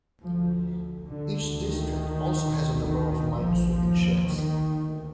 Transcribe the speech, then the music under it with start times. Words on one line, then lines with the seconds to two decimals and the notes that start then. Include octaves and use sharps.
Each district also has a number of minesweeping ships.
0.22 D2 F3
1.08 D3
1.37 D2
1.67 D#3
2.52 D2
2.81 D#3
3.39 F3
3.68 D#2 F3
4.25 D#3
4.83 D2